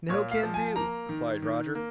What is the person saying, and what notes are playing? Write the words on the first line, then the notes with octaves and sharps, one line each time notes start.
"No can do," replied Roger.
A#2 C#5
F5
F3
G#5
A#3 A#5
D#3
D#3
A#3